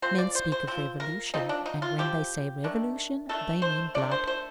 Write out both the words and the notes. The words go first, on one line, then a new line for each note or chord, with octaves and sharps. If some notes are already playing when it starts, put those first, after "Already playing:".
Men speak of revolution; and when they say revolution they mean blood.
F3 C4 C5
D5
C5
C5
F3 C4 C5
A#4
F3 C4 D#4
D4
D#4
F4
F3 C4 G4
D#3 A3 D4
D#3 A3 D4 A4
C5
D#3 A3 D4 D5
C5
C5